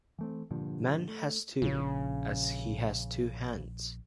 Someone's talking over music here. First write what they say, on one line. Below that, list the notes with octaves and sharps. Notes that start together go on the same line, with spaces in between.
Man has two - as he has two hands.
E3 A3 C4
G2 A#2 D3 F3
A3
A#1 C#3 C#4